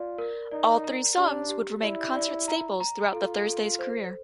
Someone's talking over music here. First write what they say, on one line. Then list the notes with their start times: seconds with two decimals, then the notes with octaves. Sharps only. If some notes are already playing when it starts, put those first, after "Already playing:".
All three songs would remain concert staples throughout the Thursday's career.
Already playing: F4 D5
0.18 A#4
0.51 D#4 D5
0.84 A#5
1.17 D4 G4
1.49 G4
1.82 E4 D5
2.16 D5
2.48 A#5
2.80 A#5
3.13 F4 A4
3.46 A4
3.79 C5